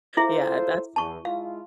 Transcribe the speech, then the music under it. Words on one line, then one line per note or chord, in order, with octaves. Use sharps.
yeah, that's
E4 F4 G#4 A4 C5 E5
E2 A5 C#6
G#3 E4 F4 F5